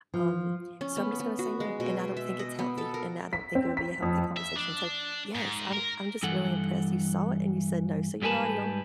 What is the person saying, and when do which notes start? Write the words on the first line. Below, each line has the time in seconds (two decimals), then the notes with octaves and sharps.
um, so I'm just gonna say no, and I don't think it's healthy, and I don't think it would be a healthy conversation," so yes, I'm I'm just really impressed, you saw it and you said no, so you're already on
0.14 F3
0.81 C#4
0.97 B3
1.20 B3
1.39 F#4
1.60 G#3
1.80 B2
2.17 E5
2.39 D#5
2.59 B3
2.78 A4
2.94 A#4
3.33 B6
3.55 C4
3.77 B6
4.02 F2
4.37 E5
4.56 D4
5.35 G#2
5.73 A#4
6.23 G2 E3 A4 F#5
8.22 G#2 G3 B4 G#5 A5 B5